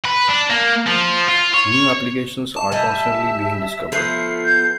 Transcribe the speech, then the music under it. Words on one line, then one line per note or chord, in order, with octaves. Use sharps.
New applications are constantly being discovered.
B4
D4
A#3
F3
F4
C#5
A5
G3 D#5 E5 G#5
F3 A3 B3 C7
G6